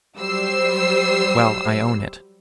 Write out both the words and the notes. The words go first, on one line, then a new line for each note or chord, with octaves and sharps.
"Well, I own it."
F#3 G3 C5 E6 C7